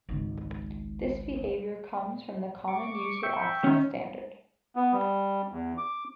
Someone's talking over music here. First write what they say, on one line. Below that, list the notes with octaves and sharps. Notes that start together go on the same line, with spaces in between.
This behavior comes from the Common User Access standard.
G#1 C#2
C#6 D6
E5 G5 C#6
D#3 C#4
B3
G3
E2
D6